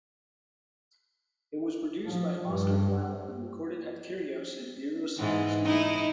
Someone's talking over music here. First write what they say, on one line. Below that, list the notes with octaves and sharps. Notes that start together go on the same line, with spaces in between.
It was produced by Oscar Clavel and recorded at Kirios and Eurosonic studios.
F3
G2
G#2 E3
D#4 E4